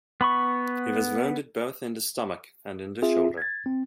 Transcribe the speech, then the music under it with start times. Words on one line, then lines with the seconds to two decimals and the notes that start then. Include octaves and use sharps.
He was wounded in both the stomach and in the shoulder.
0.21 B3 B5 C#6
3.02 C4 F4 G#4 E5
3.37 G#6 A6
3.66 C4